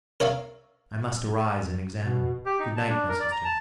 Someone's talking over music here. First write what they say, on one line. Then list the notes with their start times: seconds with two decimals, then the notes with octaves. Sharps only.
I must arise and examine. Good night, my sister.
0.20 A#4 C#5 E5 F5
2.02 B2
2.46 G4
2.59 D#4
2.77 A5
2.89 D4
3.09 A#4
3.20 D5
3.32 A#5
3.45 A5